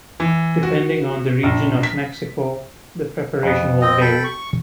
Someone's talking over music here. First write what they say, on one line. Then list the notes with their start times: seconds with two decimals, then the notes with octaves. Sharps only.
Depending on the region of Mexico, the preparation will vary.
0.20 E3
0.63 F#4
1.43 A#1
1.83 B6
3.43 F2 B3
3.81 C4 D#5
4.01 A4 G5 B5
4.24 C#6